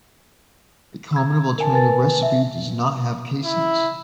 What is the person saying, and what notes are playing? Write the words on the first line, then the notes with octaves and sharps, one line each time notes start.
A common alternative recipe does not have casings.
E6 G#6
A#4 G#5 A5
B4 G#5 A6
E5
E4